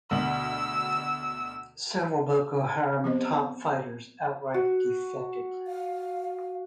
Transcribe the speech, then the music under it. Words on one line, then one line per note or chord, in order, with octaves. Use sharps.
Several Boko Haram "top fighters" outright defected.
D2 B2 E6 F#7
F3 B3 C4 G4 C5 D#5
F#4
F5